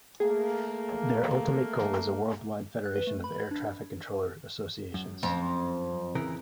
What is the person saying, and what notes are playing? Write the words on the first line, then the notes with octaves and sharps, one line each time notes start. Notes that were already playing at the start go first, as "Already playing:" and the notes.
Their ultimate goal is a worldwide federation of Air Traffic Controllers' Associations.
A3 A#3 G#4
F#6
B4
A3
B5
G#6
D4
F#2
F2
C#3 E3 A#4